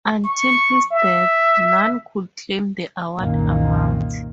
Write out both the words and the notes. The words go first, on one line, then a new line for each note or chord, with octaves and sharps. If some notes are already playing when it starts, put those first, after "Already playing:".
Until his death none could claim the award amount.
C#6
E5
C2 F#2 A#2 D#3 A#3